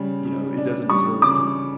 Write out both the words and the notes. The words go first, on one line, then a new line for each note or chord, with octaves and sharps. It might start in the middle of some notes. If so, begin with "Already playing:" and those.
you know, it doesn't deserve to
Already playing: C#3 G3
C#3
D4
G3 C#6
C#3 D6